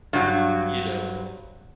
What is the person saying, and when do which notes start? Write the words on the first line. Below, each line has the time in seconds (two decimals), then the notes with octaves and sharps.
you know
0.13 G2 F#3